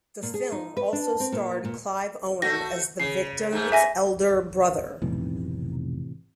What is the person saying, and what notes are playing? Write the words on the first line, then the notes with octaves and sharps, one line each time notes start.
The film also starred Clive Owen as the victim's elder brother.
A#2
G#4
D#4
B4
D4
C4
A#2
A#2
A3 F#4 A#6
C#3 C7
G#2 A3
E5 G#5 A#6
F1 B1 A2 C3 E3